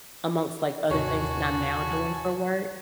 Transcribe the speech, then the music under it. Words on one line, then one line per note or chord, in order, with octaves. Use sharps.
amongst, like, other things that I'm now doing for work.
G#1 D#2 C3 F#3 F#4 C#5 G#5 A5